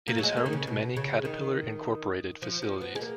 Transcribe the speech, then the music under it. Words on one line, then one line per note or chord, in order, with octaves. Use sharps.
It is home to many Caterpillar Incorporated facilities.
A#3
F#3
G#3
A#3
D#3
C#3
B2
C#3
D#3
F3
F3
B3
G#3
A#3